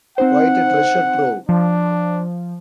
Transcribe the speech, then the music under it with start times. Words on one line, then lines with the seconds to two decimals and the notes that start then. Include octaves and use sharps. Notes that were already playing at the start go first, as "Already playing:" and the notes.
Quite a treasure-trove.
0.18 C4 D#4 C5 F#5
1.49 F3 D4